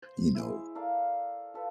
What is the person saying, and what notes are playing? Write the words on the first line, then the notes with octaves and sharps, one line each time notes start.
you know,
C5
G#3 E4
A4 A#4 D5 F5
F4 A4 B4